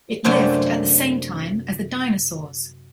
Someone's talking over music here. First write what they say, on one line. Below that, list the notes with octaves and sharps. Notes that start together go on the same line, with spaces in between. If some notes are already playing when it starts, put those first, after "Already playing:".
It lived at the same time as the dinosaurs.
F#2 C3 A3 A#3 C4 D4